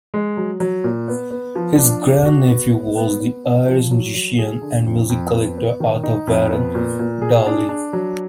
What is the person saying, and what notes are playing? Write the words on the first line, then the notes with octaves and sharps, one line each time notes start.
His grandnephew was the Irish musician and music collector Arthur Warren Darley.
G#3
F#3
F#3
A#2
B3
B3
F3
D4
D4
F#4
B3
B3
B3
B3
B3
F3
F#3
F#3
G#4
D3
F2
F2
B3
B3
D#3
D#4
F2
B3
A#2
A#2
G#4
D4
D4
F#3